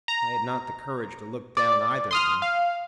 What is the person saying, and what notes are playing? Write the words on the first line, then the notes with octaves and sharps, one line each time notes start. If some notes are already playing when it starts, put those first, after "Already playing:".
I had not the courage to look down either of them.
A#5
D5
C6 D#6 F6
F5